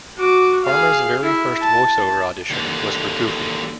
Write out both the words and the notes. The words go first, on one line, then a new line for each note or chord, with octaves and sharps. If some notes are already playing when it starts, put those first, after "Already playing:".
Farmer's very first voice over audition was for Goofy.
F#4 D6
G#4 F5
E4
A5
D#2 D3